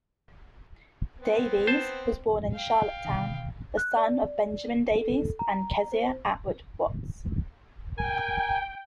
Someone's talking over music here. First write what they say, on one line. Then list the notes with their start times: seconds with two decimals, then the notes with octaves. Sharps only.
Davies was born in Charlottetown, the son of Benjamin Davies and Kezia Attwood Watts.
1.18 B3 C4
1.67 C5 A5
2.53 F5 G5
3.05 B2 D3 D#3
3.77 F#6
3.97 D5
5.01 A4
5.39 A#5
5.92 C5
7.97 A#4 G5 G#5